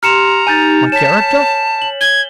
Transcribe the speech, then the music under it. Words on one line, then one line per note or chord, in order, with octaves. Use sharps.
"My character?"
G4 A#5 C6 F6 C#7 E7
D#4 G4 G#5 G6 A6
C#5 A5 B6 E7
F#7
G#6 G7